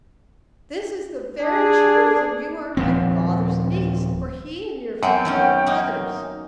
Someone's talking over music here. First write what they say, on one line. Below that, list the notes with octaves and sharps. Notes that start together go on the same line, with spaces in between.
This is the very truth, and you are my father's niece; for he and your father are brothers.
D4 G#4
D#1 F3 C4
F#2 B3 C4 G5
D#3 F#3 C#4
A#3 D#4